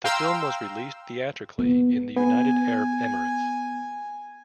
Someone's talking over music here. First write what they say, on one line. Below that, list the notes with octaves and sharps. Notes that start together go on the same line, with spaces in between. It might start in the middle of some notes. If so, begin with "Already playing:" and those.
The film was released theatrically in the United Arab Emirates.
F5 G5 A#5 C6 E6
B3
B3 G#5